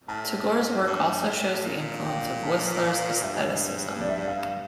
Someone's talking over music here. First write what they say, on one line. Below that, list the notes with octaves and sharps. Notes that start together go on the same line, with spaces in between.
Tagore's work also shows the influence of Whistler's Aestheticism.
A2 A5
F2
G2
A2
A#2 F5
G5
F5
G5
A5
F5
G2 E5
D5
E5
D5
F5